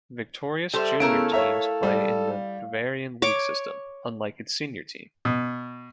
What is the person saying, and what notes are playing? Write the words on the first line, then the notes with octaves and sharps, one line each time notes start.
"Viktorias" junior teams play in the Bavarian league system, unlike its senior team.
G3 A4 C5 E5 C6
C#3 A3 B3 E4 G#4 A#4 E6
C#5 E5 F5 A#5
G3
C#5 D6
B2